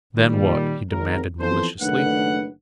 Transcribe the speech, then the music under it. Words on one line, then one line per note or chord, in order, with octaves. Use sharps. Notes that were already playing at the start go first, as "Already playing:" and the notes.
"Then what?" he demanded maliciously.
A#2 D#3 G3
G#1 A#4
E3 F3 B3 C4 A4 C5
F#1 D#3 A3 D4 B4 F#5